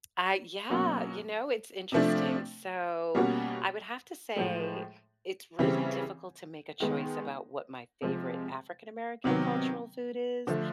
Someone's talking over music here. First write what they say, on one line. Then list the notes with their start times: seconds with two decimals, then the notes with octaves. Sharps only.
I yeah, you know, it's interesting, so, I would have to say it's really difficult to make a choice about what my favorite African American cultural food is
0.70 B2 F#3 A#3 C#4 F#4
1.92 C3 F3 A3 D4
3.15 B2 G3 A#3 C#4 F#4
4.36 A2 F3 G#3
5.59 C#3 E3 G3 C4
6.80 D#3 G#3 B3 D#4
8.02 C3 F3 G#3
9.24 C3 D#3 F#3 B3
10.47 D3 F3 A3